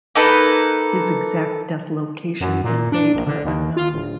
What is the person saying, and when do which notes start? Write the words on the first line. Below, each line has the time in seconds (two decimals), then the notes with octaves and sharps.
His exact death location and date are unknown.
0.15 A#3 D#4 A4 B4
2.40 F#2
2.64 A#2
2.92 D4
3.15 A#1
3.27 D3
3.44 D#2
3.76 F4
3.93 D1